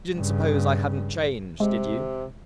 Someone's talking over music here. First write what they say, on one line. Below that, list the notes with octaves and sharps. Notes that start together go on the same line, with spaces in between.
"You didn't suppose I hadn't changed, did you?"
G2 C#3
C3 G#3